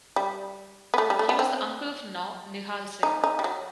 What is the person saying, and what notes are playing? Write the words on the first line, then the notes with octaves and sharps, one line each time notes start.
He was the uncle of Nau Nihal Singh.
G3
B3
A3
G3
A3
B3
C4
D#4
D#4
G3
F#3